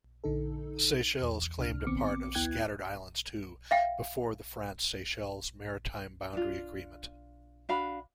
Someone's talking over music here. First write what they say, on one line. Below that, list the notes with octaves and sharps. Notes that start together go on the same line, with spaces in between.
Seychelles claimed a part of Scattered Islands too before the France-Seychelles Maritime Boundary Agreement.
A#1 D3 D#4 A4
E2
C#2 C3 D4 F6
A#1 D#3 B3 C4 D6 C#7
D2 B3 E4 G5 F#6 G#6
E5 F5 G5
D4 F4
D4 F#4 F5 B5